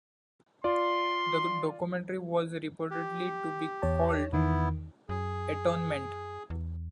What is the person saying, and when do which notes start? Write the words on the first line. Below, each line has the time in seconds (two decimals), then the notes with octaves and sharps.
The documentary was reportedly to be called "Atonement".
0.64 F4 D5 C6
2.91 G4
3.82 E2 C#5 A5
4.33 E2 D#3 B3 E4
5.09 F#2 G#4
6.50 E2